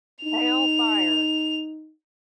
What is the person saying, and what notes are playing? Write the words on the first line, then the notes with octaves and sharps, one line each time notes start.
Hail fire!
D#4 F7